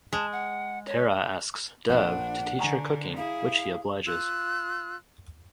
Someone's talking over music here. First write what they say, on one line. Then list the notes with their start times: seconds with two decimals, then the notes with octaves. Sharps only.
Tara asks Dev to teach her cooking which he obliges.
0.13 G#3 A5
0.32 F#5
0.87 C#5
1.89 A#1 D4 F#5
2.59 D3 G#5 A#5 C#6
3.17 E4 G#4 F5
4.06 F4 E6 F#6